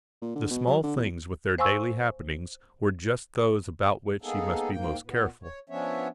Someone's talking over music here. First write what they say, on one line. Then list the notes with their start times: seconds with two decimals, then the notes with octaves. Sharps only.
The small things with their daily happenings were just those about which she must be most careful.
0.22 A#2
0.35 D3
0.50 B2
0.67 F#3
0.83 D3
0.97 E2
1.58 C5 F5 G#5 C6 C#6 E6
4.22 G#3 A#3 B3 D#4 G#4 A4
4.71 G#2 A#3 G5
5.03 A#2 B3
5.42 C#5
5.69 F3 B3 C#4 D4 C#5 E5